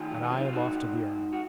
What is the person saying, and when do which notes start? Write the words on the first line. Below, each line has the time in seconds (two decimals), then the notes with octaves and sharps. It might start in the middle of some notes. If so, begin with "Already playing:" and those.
And I am off to the army.
Already playing: D#3 F4 G#4
0.09 F#3
0.24 B3
0.31 F#3 C#4
0.38 D#4
0.45 F4
0.52 G#2 D#4 F#4
0.74 G#2
0.97 G#2
1.18 G#2
1.33 F#4